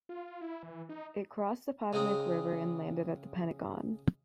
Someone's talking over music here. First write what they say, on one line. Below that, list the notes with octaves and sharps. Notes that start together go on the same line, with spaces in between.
It crossed the Potomac River and landed at the Pentagon.
F4
E4
E3
D#4
C#3 G#3 C4 D#4